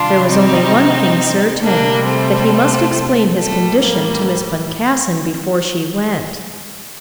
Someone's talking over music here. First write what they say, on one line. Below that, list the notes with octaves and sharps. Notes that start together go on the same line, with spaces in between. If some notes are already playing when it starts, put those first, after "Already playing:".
There was only one thing certain,--that he must explain his condition to Miss Boncassen before she went.
Already playing: C3 D#3 G3 D4 F4
C4 D#4
C3 G3 A#3 D4
A3 C4
A2 G3 A3
A#3